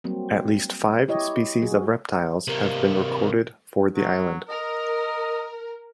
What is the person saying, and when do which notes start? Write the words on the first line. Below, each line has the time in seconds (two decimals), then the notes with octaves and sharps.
At least five species of reptiles have been recorded for the island.
0.04 F#3 G3 A#3 C4
1.08 E4 G4 C#5 D#5
1.62 F#3 F#4 G#4
2.48 C3 A#3
3.96 F#3
4.49 A#4 D#5